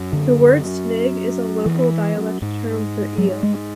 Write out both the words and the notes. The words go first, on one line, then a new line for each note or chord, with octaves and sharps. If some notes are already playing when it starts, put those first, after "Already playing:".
The word snig is a local dialect term for eel.
Already playing: F#2
D3
E3
G#2
F#3
G#3